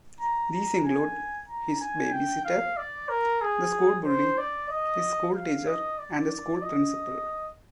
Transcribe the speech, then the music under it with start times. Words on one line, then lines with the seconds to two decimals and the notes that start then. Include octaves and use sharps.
These include his babysitter, the school bully, his school teacher and the school principal.
0.20 A#5
0.51 A#5
0.84 G#5
1.48 A#5
1.81 G#5
2.12 G5
2.45 F5
2.77 D5
3.09 A#4
3.42 G#4
4.05 C5
4.38 D5
4.70 D#5
5.35 F5
5.67 D#5
5.98 D5
6.30 D5
6.63 D#5